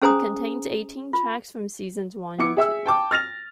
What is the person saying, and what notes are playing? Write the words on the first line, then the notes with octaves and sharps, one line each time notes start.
It contains eighteen tracks from seasons one and two.
C#4 G#4 C5 G#5 A#5 D#6
F4
B3 E4 D6 C#7
G#4 E5 E6
G5 A5 D6
F6 A6 A#6 F7